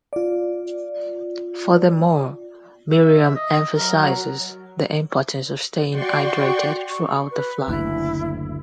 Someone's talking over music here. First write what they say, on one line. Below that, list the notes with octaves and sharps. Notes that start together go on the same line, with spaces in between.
Furthermore, Miriam emphasizes the importance of staying hydrated throughout the flight.
F4 D5
E5
D#5
F#3 A#4
F#4 D5 G5 C6 C#6
C#6
B4
F#1 D2 E4